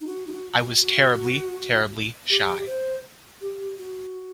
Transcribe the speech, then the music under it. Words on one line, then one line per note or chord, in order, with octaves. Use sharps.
I was terribly, terribly shy.
D#4
F#4
D#4
F#4
F#4
F#4
G4
C5
G4
F#4